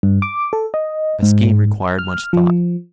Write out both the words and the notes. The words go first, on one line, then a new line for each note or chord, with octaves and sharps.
My scheme required much thought.
G2
D6
A4
D#5
G#2
F6
F3